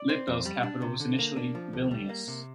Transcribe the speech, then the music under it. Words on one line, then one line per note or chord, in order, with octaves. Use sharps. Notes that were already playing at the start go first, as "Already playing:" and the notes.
Litbel's capital was initially Vilnius.
Already playing: D5
C4
F2
G3
D4
C3
D3
A#3
D4
F3
D2
G3
A#3
C3